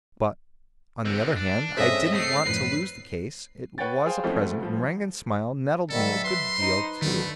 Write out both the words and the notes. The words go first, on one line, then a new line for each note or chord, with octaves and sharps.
But, on the other hand, I didn't want to lose the case--it was a present--and Rangon's smile nettled me a good deal, too.
D3 C4
D4
G2 C4 C#4 G#4 A4 D#5 E5 G6
A3 C7
F#2 A2 F3 B4
B4 C#5 F#5 G5 A6
G#4 C5 F5 G5 G#5
E3 F3 G#3 A3 C4 C#4
D2 A3
G2 F3
G#2 D#3 F#3 G3 A4 E5
B4 C6
D#4 C5
D3 D#3 F#3 A3